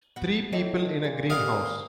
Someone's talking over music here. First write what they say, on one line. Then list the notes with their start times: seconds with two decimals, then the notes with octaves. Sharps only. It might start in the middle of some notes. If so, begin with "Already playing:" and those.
Three people in a green house.
0.16 B3 F#4
0.52 A2 E3 C4 D#5
1.04 A#2 G#4
1.30 D3 B3 G4 D#5 F5